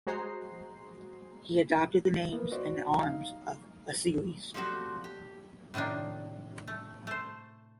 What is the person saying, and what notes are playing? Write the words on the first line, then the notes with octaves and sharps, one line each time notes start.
He adopted the name and arms of Lascelles.
G#3 F#4 G#4 C5 A#5 C7
A#3 B3
F#4 C5 D5
D#4 F5
F3 G3 A3 C4 F#4
G4
A2 C3 D#3 A#3 D4
A3
A3 C5